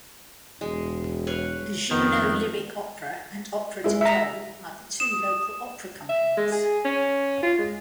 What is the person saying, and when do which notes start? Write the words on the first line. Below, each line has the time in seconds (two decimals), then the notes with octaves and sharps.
The Juneau Lyric Opera and Opera to Go are the two local opera companies.
0.61 E1 G#3
1.27 B4 C#5 F5
1.91 F2 D#3 B3
3.84 G#3 E4
4.01 E5 A#5
5.00 D#6 E7
6.09 E5
6.37 G#3
6.52 G#4
6.85 C#4
7.43 F4
7.59 G#3